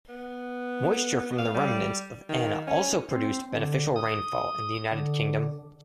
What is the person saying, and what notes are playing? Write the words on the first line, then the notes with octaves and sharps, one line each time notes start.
Moisture from the remnants of Ana also produced beneficial rainfall in the United Kingdom.
B3
F5
G3
D#3
C#4
C4
D3
D#6
D3